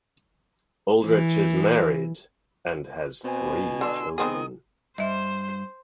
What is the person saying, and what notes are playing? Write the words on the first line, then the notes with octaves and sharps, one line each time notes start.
Aldrich is married and has three children.
E3
B2 C4 G#5
D3 D4 C6 E6
D#3 B3 C4 G#4 D#6
G2 C5 D#5 E5